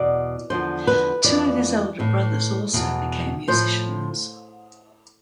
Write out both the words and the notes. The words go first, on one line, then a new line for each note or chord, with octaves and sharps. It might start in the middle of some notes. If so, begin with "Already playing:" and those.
Two of his older brothers also became musicians.
Already playing: E2 B2 D5
E2 D3 F3 C5
B4
F2 E3 D5
A2 E3
E2 B2
A2 F3 C5